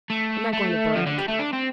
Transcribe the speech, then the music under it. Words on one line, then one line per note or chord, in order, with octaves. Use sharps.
I'm not going to brag.
A3
A3
F3
D3
G3
A3
D4
C4